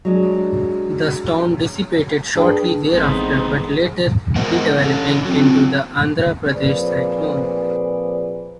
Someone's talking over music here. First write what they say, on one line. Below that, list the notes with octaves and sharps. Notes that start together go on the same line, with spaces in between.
The storm dissipated shortly thereafter, but later re-developing into the Andhra Pradesh cyclone.
F#3 G#3 D4
D4 G#4 B4 G5
A1 D#2 G#3 B3 C4 D#4 A4
G#3 B3 A#4 C5 D#5 F#5
C#4 A4
F#3 C4
A#2 F3 C4 G#4 B4 D5